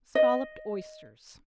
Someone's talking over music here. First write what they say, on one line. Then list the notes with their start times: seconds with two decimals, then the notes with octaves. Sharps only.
Scolloped Oysters.
0.15 D#5